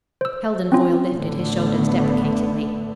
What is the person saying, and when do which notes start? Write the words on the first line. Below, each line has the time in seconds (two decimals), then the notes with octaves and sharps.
Heldon Foyle lifted his shoulders deprecatingly.
0.21 C5 E6
0.72 C4 C#4 F4
1.11 A1 D3 A3 B3